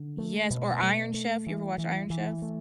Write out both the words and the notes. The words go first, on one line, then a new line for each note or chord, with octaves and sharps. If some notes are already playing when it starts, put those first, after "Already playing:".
Yes, or Iron Chef, you ever watched Iron Chef?
Already playing: D3
A3
B2
A3
A3
E3
E3
E3
A3